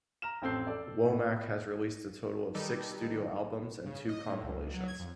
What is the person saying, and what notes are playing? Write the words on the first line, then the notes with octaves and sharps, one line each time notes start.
Womack has released a total of six studio albums and two compilations.
A#5 F6 E7
A1 F2 C4 A4 G6 C7
A4 D5
A2 B3
D#3 G3 D#4 G4 A4 B4
C#3
D#5
A2
C#2
F#3
G#6
F2